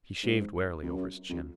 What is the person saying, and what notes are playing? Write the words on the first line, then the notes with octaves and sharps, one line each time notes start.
He shaved warily over his chin.
G#2
F2
F#2
F2